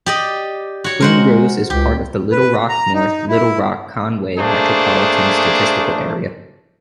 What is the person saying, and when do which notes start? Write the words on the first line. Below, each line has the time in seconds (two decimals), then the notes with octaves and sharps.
Twin Groves is part of the Little Rock-North Little Rock-Conway Metropolitan Statistical Area.
0.06 G4 D5 D#5
0.84 F#4 C#5
1.00 G#3 A#4 C5 F#5
1.70 C#2 G4
2.32 B4
2.69 A#5
2.94 D#4
3.28 E4
4.38 A3 A#3 D4 G#4 C5